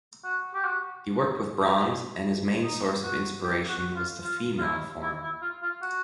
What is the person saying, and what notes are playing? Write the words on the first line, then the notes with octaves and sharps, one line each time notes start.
He worked with bronze and his main source of inspiration was the female form.
F#4
G4
F#4
D#4
F#4
G4
F#4
F4
F4
F4
E4
E4
E4
F4
F4
F#4